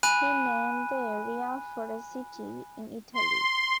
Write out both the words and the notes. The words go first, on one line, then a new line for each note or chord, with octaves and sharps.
He named the area for a city in Italy.
G#5 B5 F#6 D#7
C6